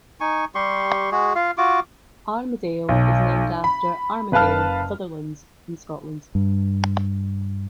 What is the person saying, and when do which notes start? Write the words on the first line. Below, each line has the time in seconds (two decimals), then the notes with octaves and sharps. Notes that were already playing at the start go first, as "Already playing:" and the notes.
Armadale is named after Armadale, Sutherland in Scotland.
0.20 D#4 G#5 C#6
0.55 G3 G4 C6 C#6
1.12 G#3 F#4 G#4
1.35 F4 F5
1.58 F4 F#4 D6
2.89 B1
3.64 B5
4.32 F#1 B4 F5 A5 F6
6.35 G2